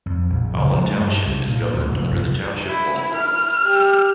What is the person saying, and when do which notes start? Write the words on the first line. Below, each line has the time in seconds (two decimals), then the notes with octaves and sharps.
Holland Township is governed under the Township form of government.
0.06 F2
0.30 A#1
0.56 C#2
0.71 F3
0.85 G#3
0.99 G2
1.26 C2
1.47 A#2
1.73 D2
1.92 F1
2.10 F1
2.66 E4
3.14 F6
3.63 G4